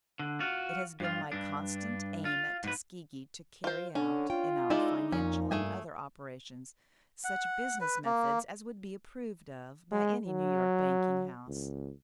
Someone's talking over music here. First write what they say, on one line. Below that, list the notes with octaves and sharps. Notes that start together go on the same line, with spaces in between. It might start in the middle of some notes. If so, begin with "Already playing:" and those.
It has been my constant aim at Tuskegee to carry out, in our financial and other operations, such business methods as would be approved of by any New York banking house.
D3
F4 F#4
G2 F4
G2 D4
F4
G#2 B4
F4 C5
D3 C#4 D4
F4 G5
G#3 D#4 E4 D5 E6
F2 A#2 C#4
G2 A3 G#4 G#5
F#5
B4
A#3
G#3
F#3
C#2